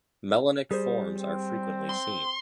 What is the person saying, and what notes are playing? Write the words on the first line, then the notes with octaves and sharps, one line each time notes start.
Melanic forms are frequently seen.
G3 G#4 C5
C4
C6